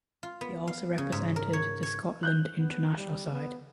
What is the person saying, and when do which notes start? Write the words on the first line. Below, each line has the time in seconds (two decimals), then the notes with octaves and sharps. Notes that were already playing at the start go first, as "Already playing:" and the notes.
He also represented the Scotland international side.
0.23 F4
0.41 B3
0.67 F5
0.98 C#3
1.12 G#2
1.36 A#4
1.53 C#5
1.83 C#5
2.23 F#6 G6
2.57 B3
2.97 G3
3.32 B3